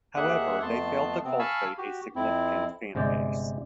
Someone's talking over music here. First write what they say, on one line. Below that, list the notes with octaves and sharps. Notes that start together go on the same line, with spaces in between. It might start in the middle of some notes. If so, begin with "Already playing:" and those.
However they failed to cultivate a significant fan-base.
D#2 A#3 G#4 E5 F#5 F#6
F2 A3 B3 A5 C6
C3 B3 C4
F5 G#5 A5 B5 C#6 E6
F#4 G4
F2 C4 E4
G1 C3 G#3 G4 D5 G5